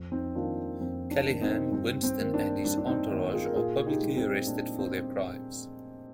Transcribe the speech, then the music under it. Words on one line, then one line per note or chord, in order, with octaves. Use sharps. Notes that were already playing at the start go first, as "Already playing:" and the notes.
Calighan, Winston and his entourage are publicly arrested for their crimes.
Already playing: F2
C4 D#4
D#3 A#3 D4 F4
F2 C4
D4
D#3 A#3
C4 D#4
G2 C4
C4
D#3 A#3
D4
G2 D4
D4
C4 D#4
D#3 A#3
F4 G#4
A#4
A#2 F4 G#4
G#4
D#4 G4
G3 A#3
C4 D#4
A#2 D4
C4